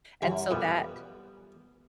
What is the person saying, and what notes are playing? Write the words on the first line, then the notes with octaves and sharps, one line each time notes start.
and so that
F#2 E3 G3
F2 A#2 G3 B3 B4